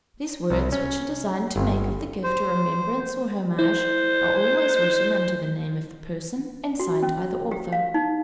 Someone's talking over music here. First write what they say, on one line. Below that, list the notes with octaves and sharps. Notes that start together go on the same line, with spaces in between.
These words, which are designed to make of the gift a remembrance or homage, are always written under the name of the person, and signed by the author.
C2
C#4
G1
C5
E4 C5
F#4
C#4
G4
F5
D#4